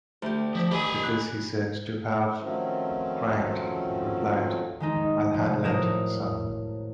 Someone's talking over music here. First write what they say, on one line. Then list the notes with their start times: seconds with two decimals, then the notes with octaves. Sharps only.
To this, he is said to have grinned and replied, I'll handle it, son.
0.22 D2 G4
0.55 F3
0.71 D#3 G4 G#5 B5
1.03 F#6
2.41 D#3 F3 F#3 A3 C4 C#4
4.80 D#3 G#3 D#4
5.34 F1
5.64 A2 F#3 A#4 D#6 E7